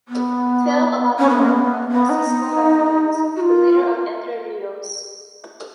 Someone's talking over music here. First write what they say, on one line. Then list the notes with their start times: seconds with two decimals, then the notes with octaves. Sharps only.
Film about the life of Francisco Ramírez, the leader of Entre Ríos.
0.08 B3
1.19 C#4
1.29 B3
1.39 A#3
1.49 B3
1.91 B3
2.10 D#4
3.36 F#4
3.40 F4